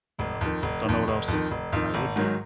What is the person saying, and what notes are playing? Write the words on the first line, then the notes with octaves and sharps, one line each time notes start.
you know don't know what else I would do.
F1
F2 D#3
F1
F2 D#3
F1
F2 D#3
F1
F2 D#3
G#1
G#2 D#3 F#3